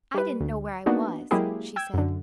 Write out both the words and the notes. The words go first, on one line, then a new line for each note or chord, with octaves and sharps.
"I didn't know where I was," she said.
G3 B4
D2
A#3 B3 D4 D#4 F#4
F#3 G#3 A#3 E4 G4 G#4
G5 E6 G#6
F#2 D3